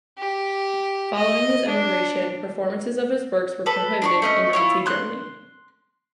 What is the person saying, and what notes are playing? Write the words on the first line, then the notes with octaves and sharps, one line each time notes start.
Following his emigration, performances of his works were prohibited in Nazi Germany.
G4
D#5
D4
A4 B4
D4 C6 C#6
A3 C#4 D#5
E4 F4 C#5
C6 F#6